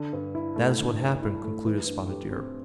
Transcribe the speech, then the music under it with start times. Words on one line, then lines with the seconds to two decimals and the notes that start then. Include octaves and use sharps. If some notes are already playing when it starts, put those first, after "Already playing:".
"That is what happened," concluded Spotted Deer.
Already playing: D3
0.13 G2
0.35 E4
0.56 A3
0.79 D3
1.00 G2
1.22 E4
1.44 A3
1.66 E3
1.87 G2
2.09 G4
2.31 C4